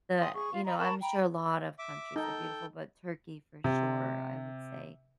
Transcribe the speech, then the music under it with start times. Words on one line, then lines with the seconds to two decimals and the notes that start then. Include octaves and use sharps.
the you know, I'm sure a lot of countries are beautiful, but Turkey, for sure, I would say
0.19 G5 G#5 C6 D#6
0.34 G#4 C#6
0.51 F4 F5
0.65 D#5 A#5 B5
0.77 A#4 A5 B5 C#6
1.00 G5 A#5 B5
1.79 E5 D6
2.16 D#4 A4 G5
3.64 C3